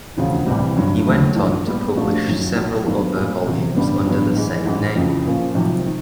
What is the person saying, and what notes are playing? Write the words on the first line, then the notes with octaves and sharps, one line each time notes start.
He went on to publish several other volumes under the same name.
E1 D2 C#3 F3
C2 C3 E3 G3
G1 G2 D3 F#3
E1 D#2 D#3 F#3 A3
A#1 G#2 D#3
A#2 G3 B3
A#2 F3 A3 D4 F#4
G1 F#2 D#3 F#3
B1 A#2 F#3
G2 D#3 F#3 B3
A#2 G3 C4 F4 G#4
E1 E2 C3
A1 G2 D3 G3 B3
A1 G2 D3 F#3 B3
G#2 E3 G#3
A1 G#2 E3
F#1 F2 C#3 E3
A#2 F3 A#3 C#4
F1 F2 C3 D#3 F#3
D#3